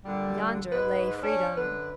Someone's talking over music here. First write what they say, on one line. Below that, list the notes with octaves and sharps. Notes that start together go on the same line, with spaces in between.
Yonder lay freedom!
A#2 D3 G3
G#2 B4
C#4 D4
F#2 D3 B4